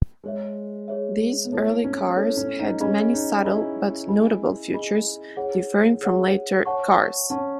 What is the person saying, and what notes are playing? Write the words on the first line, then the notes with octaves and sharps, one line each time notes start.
These early cars had many subtle but notable features differing from later cars.
G#3 G#4 C#5 E5
G#4 C#5 E5
B3
A3 E4 A4 C#5
C#4
E4 A4 C#5
C#4
D#4
C#4 G#4 D#5 G#5 B5
D#4
E4 G#4 D#5 G#5 B5
G#4 D#5 G#5 B5
E4 G#4 D#5 G#5 B5
G#4 C#5 F#5
G#4 C#5 F#5
C#5 F#5 A5 C#6
C#4 C#5 F#5 A5 C#6